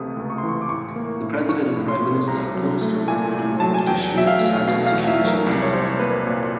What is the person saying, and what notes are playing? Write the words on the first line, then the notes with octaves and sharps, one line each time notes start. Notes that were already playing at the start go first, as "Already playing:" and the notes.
The President and Prime Minister opposed a move to Mogadishu, citing security reasons.
Already playing: C#2 C3 E3 A3 D#6
C#2
C#6
C6
E3
C#6
D6
A2 C#6
A#3
A2
F3 C#6
A2
C6
A#3
C2 A#5
F#3
A3
A#2 G#5
C2
F#3 A5
G#5
E2 G5
F#3 E5
F5
A3
B2 F5
F5
E2
E5
F#3
A#4
C2
C#5
G3 C5
A#3 B4
A#2